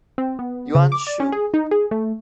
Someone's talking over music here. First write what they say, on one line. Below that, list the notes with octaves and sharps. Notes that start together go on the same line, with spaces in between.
Yuan Shu.
C4
B3
C#3
D6
D5
C#4
G#4
D#4
G#4
A3